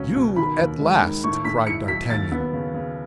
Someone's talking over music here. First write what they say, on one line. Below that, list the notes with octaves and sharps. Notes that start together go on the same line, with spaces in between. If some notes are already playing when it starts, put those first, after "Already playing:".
"You at last?" cried d'Artagnan.
Already playing: C#2 F#3 C#4
B2
D#3 B5
D#2
G#3
D#3
A2 C#6
A2 B6
E4 C#7
F#3 B6
D#2 A6
B3
C#3
C#3